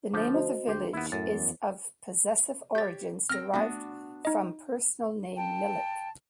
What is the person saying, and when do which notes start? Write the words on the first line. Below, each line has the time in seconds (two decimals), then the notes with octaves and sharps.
The name of the village is of possessive origins derived from personal name "Milik".
0.14 D2 F3 D6 G6 A6
0.34 F#4 C5 D#5
0.67 D2 D4 G4 C5
0.93 D#2 B3 E4
1.12 F#2 A2 A6
1.31 E2
2.75 G4 C#5 G6 A6
3.29 C4 G5 F6 A#6
3.54 A3 B3 D4 F#4
4.25 D#4 D#5
5.37 G5 A5